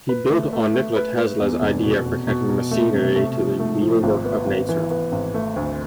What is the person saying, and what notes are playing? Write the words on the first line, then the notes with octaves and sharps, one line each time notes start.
He built on Nikola Tesla's idea for connecting machinery to the "wheelwork of nature".
B4
A3
A3
A3
B4
B4
E2
F1
B2
B2
B2
B2
A3
C3
A3
F3
A3
F3
G#1
B3
G#1
E3
B3
G#1
A3
D2